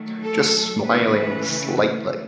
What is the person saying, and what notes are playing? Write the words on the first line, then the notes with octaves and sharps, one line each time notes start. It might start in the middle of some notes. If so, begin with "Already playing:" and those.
Just smiling slightly.
Already playing: D#3 F#3 A3
A4
C#3 E3 A3 B4